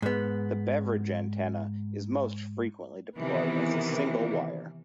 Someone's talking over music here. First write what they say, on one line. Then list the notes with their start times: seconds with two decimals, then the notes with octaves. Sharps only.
The Beverage antenna is most frequently deployed as a single wire.
0.02 G#2 B3
3.16 C3 D#3 E3 B3